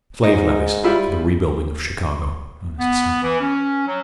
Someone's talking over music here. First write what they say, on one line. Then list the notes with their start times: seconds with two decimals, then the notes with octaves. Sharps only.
"Slave-levies for the rebuilding of Chicago," Ernest said.
0.23 G#2 D#4
0.84 G3 E4 F4
2.78 B3
3.22 E3
3.40 C#4
3.87 F#3